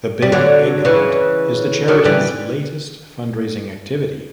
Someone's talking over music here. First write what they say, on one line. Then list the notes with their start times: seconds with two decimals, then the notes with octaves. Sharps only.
The Big Egg Hunt is the charity's latest fundraising activity.
0.22 G3
0.32 D3 F#3
0.85 C#3 E3
1.88 D3 F#3
2.04 E3 G3